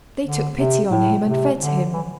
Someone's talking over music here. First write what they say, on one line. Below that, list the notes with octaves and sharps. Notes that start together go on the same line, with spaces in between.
They took pity on him and fed him.
D3
C3
A2
C3
D3
E3